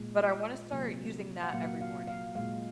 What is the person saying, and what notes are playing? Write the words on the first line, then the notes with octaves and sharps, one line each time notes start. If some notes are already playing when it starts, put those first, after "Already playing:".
But, I wanna start using that every morning.
Already playing: A#2 G#3
C3 F#3 A#3
F#5
A#2 F#3 A#3 F5
F5
F5
A#2 G#3 F5